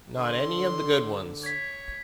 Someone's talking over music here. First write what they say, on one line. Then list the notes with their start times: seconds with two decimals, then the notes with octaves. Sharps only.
Not any of the good ones.
0.17 D3 C6
1.43 C#5 G#6 B6